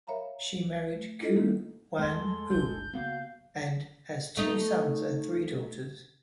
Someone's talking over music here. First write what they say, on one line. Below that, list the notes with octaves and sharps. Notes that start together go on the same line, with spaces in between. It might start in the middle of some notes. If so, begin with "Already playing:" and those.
He married Kuo Wan-hua and has two sons and three daughters.
A#4 C#5 E5 F5 A#5 B5
A3
D4 E4 F4 A4 D#5
D#3 G3 A#3 C4 D#4
E2 G#3 A3 A4 C6
F#1 C2 D3 G6
C#3 A#3 B3 F#4 F5
A3 D#4